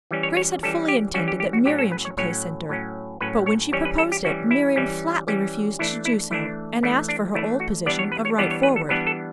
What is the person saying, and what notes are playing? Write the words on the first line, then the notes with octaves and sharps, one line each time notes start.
Grace had fully intended that Miriam should play center, but when she proposed it, Miriam flatly refused to do so, and asked for her old position of right forward.
E3 G3 C#4
C#5
C#5
E3 G3 C#4 A4
G4
E3 G3 C#4 F#4
G4
G4
F#4
A2 F#3 C#4 G4
A4
B4
C#5
A2 F#3 C#4 C#5
A2 F#3 C#4
A2 F#3 C#4 B4
C#5
E3 G3 C#4 C#5
B4
A4
G4
E3 G3 C#4 F#4
E4
E3 G3 C#4
E3 G3 C#4
E3 A3 D4 E4
E4
E3 A3 D4 E4
E3 A3 D4 E4
D4
E3 A3 D4 E4
F#4
E3 G3 B3 D4 D5
C#5
B4
C#5
E3 G3 B3 D4 D5
C#5
B4
A4
E3 G3 B3 D4 B4
A4